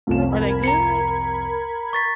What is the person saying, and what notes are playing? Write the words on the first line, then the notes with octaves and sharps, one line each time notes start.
Are they good?
C2 F2 A3 C#4 F4 E7
A#4 B5 G#6
A#5 C#7
C#6 A6 B6